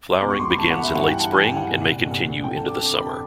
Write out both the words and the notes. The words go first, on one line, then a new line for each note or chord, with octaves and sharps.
Flowering begins in late spring and may continue into the summer.
C#2 B2 D6
C#6
C6
B5
C#2 B2 A5
F#5
E5
G2 E3 F#5
G5
A5
G2 E3 G#5
G5
F#5
C2 A#2
C2 A#2
F2 D3 G5
A5
D6
F2 D3 A5
B5
A5